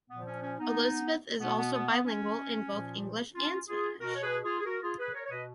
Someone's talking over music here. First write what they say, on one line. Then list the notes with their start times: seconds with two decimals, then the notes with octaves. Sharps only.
Elizabeth is also bilingual in both English and Spanish.
0.10 A#2 F3 B3
0.27 C#4
0.42 C#4
0.60 B3 D#4
1.40 B2 B3
1.57 B3
1.73 B3
1.90 B3
2.06 C#4
2.71 A#2 F3
3.35 C#4 F4
3.68 F4 G#4
4.00 B2 F#4 A#4
4.14 C#5
4.23 G#4 B4
4.44 F4 G#4
4.60 G#4
4.65 F#4 A#4
4.82 F4 G#4
4.99 G#4 B4
5.14 A#4 C#5
5.25 C#5
5.30 B2 B4 D#5